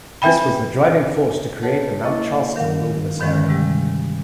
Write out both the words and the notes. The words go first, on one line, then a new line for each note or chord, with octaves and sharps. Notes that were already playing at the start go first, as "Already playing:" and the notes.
This was the driving force to create the Mount Charleston Wilderness area.
C4 B4 E5 G5 B5
G4 A4 B4 C#5 F#5 A5
A#3 E4 D#5 C#6 D6 A6
D#3 F#3 A#4 F5 F#5
G2 D3 D#3 F3 G#3 C#4
C3 G3 G#3 G4